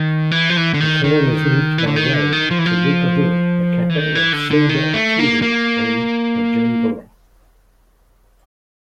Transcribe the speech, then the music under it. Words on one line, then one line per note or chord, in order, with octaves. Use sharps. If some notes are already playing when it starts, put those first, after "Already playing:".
The town is linked by road to Bukavu, the capital of Sud-Kivu, and Bujumbura.
Already playing: D#3
E3
F3
E3
D3
D#3
D#3
E3
D3
D#3
D3
D#3
F3
E3
F3
E3
D#3
E3
D3
D3
D#3
A3
A#3
A#3